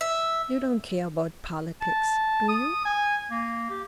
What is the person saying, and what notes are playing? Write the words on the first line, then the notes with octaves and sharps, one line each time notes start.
"You don't care about politics, do you?"
E5
A5
D#6
G#5
A#3
G4